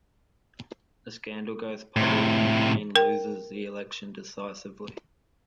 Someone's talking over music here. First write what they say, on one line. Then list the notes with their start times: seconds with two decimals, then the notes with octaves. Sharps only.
The scandal goes public and Kane loses the election decisively.
1.97 A2 C3
2.96 A#4 G5